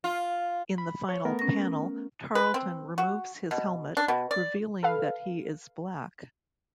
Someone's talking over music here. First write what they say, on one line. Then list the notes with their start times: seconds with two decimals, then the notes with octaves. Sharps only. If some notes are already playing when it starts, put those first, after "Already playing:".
In the final panel Tarlton removes his helmet, revealing that he is black.
0.04 F4
0.78 B5
1.09 C#5
1.25 A3 B3 A#4
1.39 C#4 A#6
2.35 B4
2.54 C4
2.98 F#4
3.51 B2
3.97 D4
4.08 B2
4.31 D5
4.83 A4 B4 F5